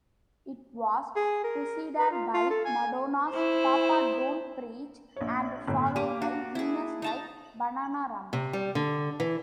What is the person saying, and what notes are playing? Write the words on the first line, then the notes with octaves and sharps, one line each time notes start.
It was preceded by Madonna's "Papa Don't Preach" and followed by "Venus" by Bananarama.
G#4
A#4
B4
F4
F4
A4
G#5
E4 C5
A#1 C#5
G1 A2
A#3 G4 D#7
D4 F#4
E4 G#4
D#4 A5 A#5
C3
G3
D3
E3